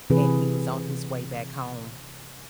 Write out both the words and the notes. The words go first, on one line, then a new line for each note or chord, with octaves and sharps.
And he was on his way back home.
C3 E3 C4 G#4 B4